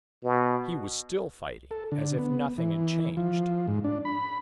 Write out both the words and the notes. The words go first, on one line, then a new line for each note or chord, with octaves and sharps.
He was still fighting, as if nothing had changed.
B2
A4
D3
B3
E3
F3
G#2
D4
B5